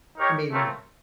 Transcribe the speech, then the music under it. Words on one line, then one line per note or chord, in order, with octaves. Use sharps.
I mean
D#4 G4 A#4 C#5
A3 C4 F4 A#4 C#5